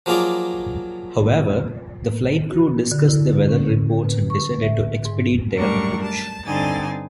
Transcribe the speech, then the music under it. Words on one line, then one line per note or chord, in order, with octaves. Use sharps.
However, the flight crew discussed the weather reports and decided to expedite their approach.
F3 F#3 A#3 F4 G#4 D5
F#4
D3
E4
C#4
B4
C#6
E5
G#2
F#2 G3 A3 D4 A#4 C#6
A5
G2 D3 C4 D#4 G#5 A6